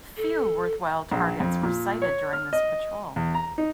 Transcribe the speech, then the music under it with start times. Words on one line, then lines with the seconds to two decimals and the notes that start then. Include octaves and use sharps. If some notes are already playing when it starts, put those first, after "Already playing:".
Few worthwhile targets were sighted during this patrol.
0.17 A4
1.12 A#1
1.40 F2
1.63 A#2
2.02 C#5
2.33 F6
2.53 D#5
3.16 E2
3.35 A#5
3.58 D#4